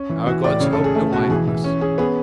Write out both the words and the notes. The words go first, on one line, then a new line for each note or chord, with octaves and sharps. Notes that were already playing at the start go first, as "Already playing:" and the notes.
Our gods help no idleness.
Already playing: C#4
E3
E3 F#4
A2 D5
C#3 C#5
A4
C#3
G#4
A3 G#4
B2 F#4
E3 G#4
E3
C#4
C#4 G#4
B3 G#4